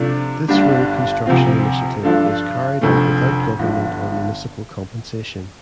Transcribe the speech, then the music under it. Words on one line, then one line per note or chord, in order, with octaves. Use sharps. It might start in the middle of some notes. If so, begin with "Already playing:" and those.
This road construction initiative was carried out without government or municipal compensation.
Already playing: C3 F3 A3 D4 F4
G1 G2 G3 D4
D2 C3 F3 C4 F4
G2 F3 D4 F4 A4
F1 F2 D3 A3
G1 G2 F3